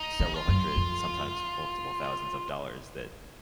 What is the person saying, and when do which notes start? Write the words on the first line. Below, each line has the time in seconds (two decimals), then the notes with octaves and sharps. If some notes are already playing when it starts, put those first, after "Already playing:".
several hundred, sometimes multiple thousands of dollars that
Already playing: D#4
0.20 D3
0.34 F4
0.48 F#2
0.76 F2